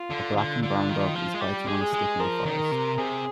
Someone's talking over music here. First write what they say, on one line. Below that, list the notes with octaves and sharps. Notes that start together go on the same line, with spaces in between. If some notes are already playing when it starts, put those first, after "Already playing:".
A black and brown dog is biting on a stick in the forest.
Already playing: F4
D3
D3
D3 F4
D#3
F3
G#3
G3 G4
G#3
G#4
G#3
F3 A#4
D#3
C3
C3 G#4